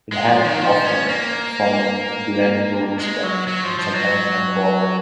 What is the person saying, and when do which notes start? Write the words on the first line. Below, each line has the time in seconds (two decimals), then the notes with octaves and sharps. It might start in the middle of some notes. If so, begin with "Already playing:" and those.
It had often found Durango distant and sometimes uncooperative.
0.12 G#3
0.28 F3
0.44 D#3
0.61 F3
0.84 C#4
1.08 A#3
2.99 G#3
3.23 F#3
3.47 F#3
3.63 F3
3.79 F3
3.95 F#3